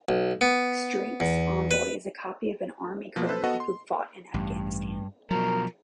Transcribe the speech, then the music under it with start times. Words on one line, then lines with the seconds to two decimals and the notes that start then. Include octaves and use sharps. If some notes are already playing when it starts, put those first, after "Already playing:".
Strength's Envoy is a copy of an Army Colonel who fought in Afghanistan.
0.09 B1
0.41 B3
1.20 E2
1.71 B4
3.16 B2 F3 A#3
3.27 A4 B4 C5
3.44 B3 F#4 A4 D#5 F#5
3.60 C6
4.34 A1 G2
5.31 B2 F3 F#3 A#4